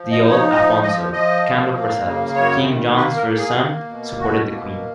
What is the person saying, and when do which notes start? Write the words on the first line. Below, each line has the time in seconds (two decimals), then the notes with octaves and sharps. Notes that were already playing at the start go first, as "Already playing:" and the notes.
The old Afonso, Count of Barcelos, King John's first son, supported the Queen.
Already playing: F3
0.11 D#5
0.21 D#4
0.31 C#5
0.52 F3 D#5
0.82 F3 D#5
1.13 F3 D#5
1.44 A#3
1.74 A#3
2.05 C#3
2.35 F#2 C#5
2.66 D#3
2.97 A#3 B4
3.17 A#4
3.27 A#3
3.37 G#4
3.58 A#3
3.89 B2
4.19 B2 F#4
4.50 A#3